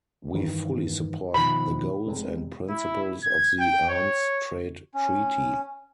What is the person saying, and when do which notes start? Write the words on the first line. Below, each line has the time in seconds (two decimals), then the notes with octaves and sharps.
We fully support the goals and principles of the arms trade treaty.
0.34 G2 D#3 E3
1.34 B2 D#3 F3 B5
2.06 F1 C3 G#3
2.69 E4
3.23 G#6
3.60 G5
3.89 C#5
4.94 C#4